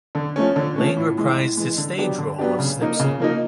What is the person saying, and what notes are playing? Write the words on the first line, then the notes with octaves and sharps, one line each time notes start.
Lane reprised his stage role of Snibson.
D3
F3 A3 C#4
D3
F3 A3 C#4
A2
E3 G#3
A2
E3 G#3
D3
F#3 B3 D4 G4
D3
F#3 B3 D4 G4
C#3
F3 A#3 D#4
C#3
F3 A#3 D#4